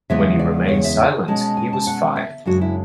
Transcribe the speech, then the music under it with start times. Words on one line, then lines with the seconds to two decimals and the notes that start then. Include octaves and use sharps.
When he remained silent, he was fired.
0.10 E2 C#3 G#3 B3 E5
0.39 D5
0.68 C#5
0.84 E5
0.99 G#5
1.28 B2 G#3 C#4 A5
1.57 G#5
1.73 A5
1.87 F#5
2.16 E5
2.46 F#2 C#3 G#3 D4 F#4
2.61 E4